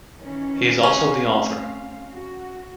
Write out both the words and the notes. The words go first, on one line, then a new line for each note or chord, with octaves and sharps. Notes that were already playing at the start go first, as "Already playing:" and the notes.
He is also the author.
D#3 E3 C#4
F#3 A3 C4 C#4 F5
F#4